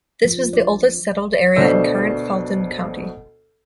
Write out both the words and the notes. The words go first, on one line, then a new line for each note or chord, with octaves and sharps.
This was the oldest settled area in current Fulton County.
F3
D5
D2 B2 D4 C5 E6